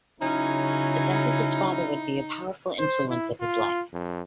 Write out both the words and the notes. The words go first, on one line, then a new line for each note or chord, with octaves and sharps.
The death of his father would be a powerful influence of his life.
C#3 F#3 C#4 D#4 E4
C5
E4
F4
F2